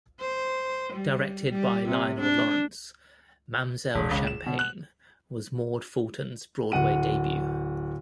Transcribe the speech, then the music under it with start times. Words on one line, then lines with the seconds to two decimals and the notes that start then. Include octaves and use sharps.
Directed by Lionel Lawrence, "Mamzelle Champagne" was Maude Fulton's Broadway debut.
0.20 C5
0.93 G3
1.49 G3
1.89 C3
2.20 D4
3.94 E1
4.11 C#2
4.27 E7
4.46 B2
4.59 F#6
6.72 D1 F#5 D#7